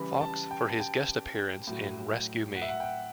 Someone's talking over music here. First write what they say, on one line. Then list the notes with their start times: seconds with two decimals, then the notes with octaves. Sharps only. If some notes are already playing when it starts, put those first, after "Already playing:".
Fox for his guest appearance in "Rescue Me".
Already playing: C#3 E3 G3 B5
0.21 A5
0.51 G5
0.69 A5
0.80 G5
1.67 A2 F#3
2.55 F#5
2.62 E5
2.68 F#5
2.80 G5
2.83 F#5